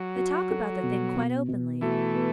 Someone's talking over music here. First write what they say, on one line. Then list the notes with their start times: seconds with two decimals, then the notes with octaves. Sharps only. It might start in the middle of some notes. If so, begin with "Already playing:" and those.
'They talk about the thing quite openly.
Already playing: F#3
0.17 F#4
0.51 A4
0.83 B2
1.16 B2
1.48 B2
1.81 E3 A3 F#4
2.14 B3